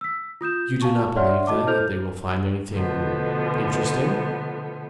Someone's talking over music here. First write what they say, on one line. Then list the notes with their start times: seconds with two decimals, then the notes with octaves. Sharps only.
"You do not believe, then, that they will find anything--interesting?"
0.01 E6 B6
0.41 F4 D#6 G6 E7
0.82 F5 G#5 A5 C#6
1.16 C#5 D5 E5 F#5 C6 F6
1.47 F#4 D#5 A5 D6
1.66 E4 A4 C5 F6 G6 F7
2.71 B2 D3 F3 A3 B3